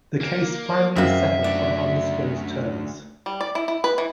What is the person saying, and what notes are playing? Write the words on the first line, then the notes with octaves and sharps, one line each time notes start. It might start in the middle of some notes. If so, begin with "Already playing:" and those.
The case finally settled on undisclosed terms.
A#3
F#2 G#3 A#3 C4 E5
A3 D4 F#4 D5
G3
D5
E4
E4
B4
E3